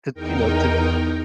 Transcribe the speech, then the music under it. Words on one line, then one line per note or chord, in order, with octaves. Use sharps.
to, you know, to
E2 D#4 A#4 G5